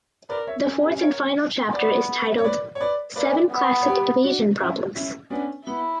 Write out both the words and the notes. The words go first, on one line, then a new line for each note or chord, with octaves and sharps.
The fourth and final chapter is entitled "Seven classic evasion problems".
A#4 B4 D5
C#5 E5
C#4 A#4 C#5
G4 B4
A#4 C#5
B3 B4 D5
C#5
B4 D5
C#5
B4 D5
A#3 B4 D5
B3
C#5
G4 B4
D4 F#4
C#4 E4
C#4 E4
B3 C#4 D4
B3 E4